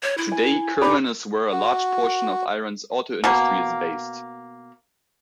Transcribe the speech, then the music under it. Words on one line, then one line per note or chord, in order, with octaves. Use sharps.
Today, Kerman is where a large portion of Iran's auto industry is based.
C#5
E4
G#5
D#4 G4 B4 D5
F#4
B2 A#3